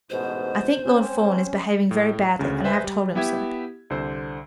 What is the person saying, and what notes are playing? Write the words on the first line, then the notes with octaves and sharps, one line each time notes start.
I think Lord Fawn is behaving very badly, and I have told him so.
A1 G#2 B2 C5
C4 C#4
A2
D2 C#3
B4 C5 E5 G#5
G3
B3 E4 G4 E5 G#6
C2 D3 C5 E6